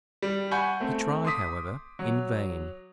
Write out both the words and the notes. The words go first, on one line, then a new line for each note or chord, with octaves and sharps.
He tried, however, in vain.
G3
F#5 G#5 B5 C#6 G6
A3 C4
C6 D6 D#6 B6
F#3